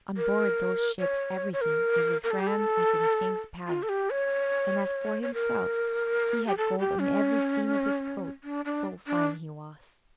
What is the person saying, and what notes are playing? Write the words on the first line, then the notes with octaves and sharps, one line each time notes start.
On board those ships everything was as grand as in a King's palace; and as for himself, he had gold on every seam of his coat, so fine he was.
A#4
C#5
C#5
A#4
A#4
A4
G4
A4
F4
A4
G4
C#5
C#5
A#4
G4
A4
G4
C#4
D4
D4
D4